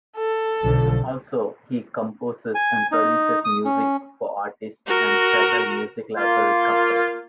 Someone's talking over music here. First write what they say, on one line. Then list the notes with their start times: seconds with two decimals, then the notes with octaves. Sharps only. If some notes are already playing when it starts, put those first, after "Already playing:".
Also, he composes and produces music for artists and several music library companies.
0.17 A4
0.63 B1 D3 F3
2.55 G#5
2.92 D#4
3.45 D#6
3.65 C#4
4.87 F#4 A#4
6.16 A#3 F4